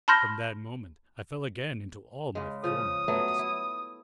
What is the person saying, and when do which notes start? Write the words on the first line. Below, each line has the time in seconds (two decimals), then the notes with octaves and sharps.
From that moment I fell again into all my former practices.
0.08 A5 B5 C6 F6 G6 A#6
2.35 C#3 G#3
2.64 C#3 F3 D#6
3.08 F#3 A3 B3
3.39 E4